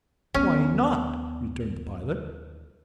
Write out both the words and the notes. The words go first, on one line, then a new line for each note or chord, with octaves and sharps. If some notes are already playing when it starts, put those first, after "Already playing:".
"Why not?" returned the pilot.
D#2 B3 C#4